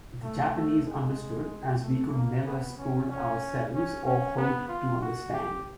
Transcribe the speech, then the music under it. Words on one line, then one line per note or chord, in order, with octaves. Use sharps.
The Japanese understood as we could never school ourselves or hope to understand.
A3
A3
G#3
A3
A#3
B3
C#4
C#4
C#4
C#4
B3
F4
F#4
G4